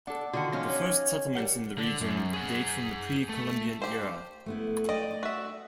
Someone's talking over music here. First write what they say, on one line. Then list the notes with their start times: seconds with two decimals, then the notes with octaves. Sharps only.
The first settlements in the region date from the Pre-Columbian era.
0.07 D4 A4 F#5 D6
0.33 D3 D#3 F4 F#4 G#4 F#5
0.52 F3 C#4 D#4 D6 F6 A#6
0.70 C#5
1.35 G3 G4 A#4 F#5
1.78 D3
2.01 F#2
2.33 G#4 F#5
3.29 A3
3.82 G4 C5
4.46 A3 B3 E4
4.89 D5 D#5 G5
5.23 F#4 E5